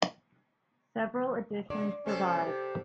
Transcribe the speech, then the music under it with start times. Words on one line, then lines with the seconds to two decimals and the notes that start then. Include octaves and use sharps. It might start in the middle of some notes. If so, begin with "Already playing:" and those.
Several editions survived.
1.70 C#3 D5
2.06 C3 C4 C#4 A4
2.46 G4